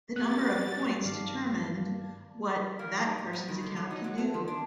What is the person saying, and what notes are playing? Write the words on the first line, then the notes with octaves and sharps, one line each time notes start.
The number of points determined what that person's account can do.
A2 B3 F#4 G4 F#5 F#6 A6
G2 D#3 D5 F5 A5
A#3
D#4
G#2
B2
D#3
D3
F#3
D#4
F#3
A3
F3
D4